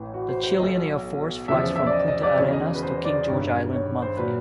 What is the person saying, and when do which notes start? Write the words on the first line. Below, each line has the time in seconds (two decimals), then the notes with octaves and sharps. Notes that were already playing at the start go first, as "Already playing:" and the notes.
The Chilean Air Force flies from Punta Arenas to King George Island monthly.
Already playing: A1 A2 E3
0.14 F#4
0.28 C5
0.43 C5
0.59 B1 B2 F#3 D#5
1.48 E2 C#3 F3 E5
1.76 E5
1.86 D5
1.93 D#5
2.08 D#5
2.23 D5
2.38 E1 E2 C#3 C#5
2.53 D#5
2.74 B4
2.83 C5
3.05 D5
3.27 G#1 G2 D#3 C#5
3.72 C#5
4.02 C5
4.17 A#2 F#3 B4